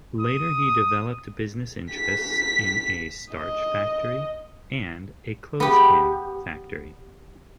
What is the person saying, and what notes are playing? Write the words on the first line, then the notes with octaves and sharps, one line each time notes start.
Later he developed business interests in a starch factory and a clothespin factory.
D#6
B6
D#5
B3 G4